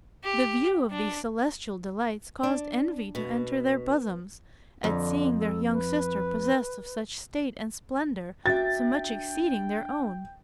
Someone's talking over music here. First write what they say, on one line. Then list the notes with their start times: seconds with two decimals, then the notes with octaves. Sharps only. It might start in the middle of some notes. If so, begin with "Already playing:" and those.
The view of these celestial delights caused envy to enter their bosoms, at seeing their young sister possessed of such state and splendor, so much exceeding their own.
0.24 G4
0.91 D4
2.43 D4
3.15 B2
4.84 F2 D3
5.38 A4
5.71 B4
8.46 D4 F#4 E5 G5 A6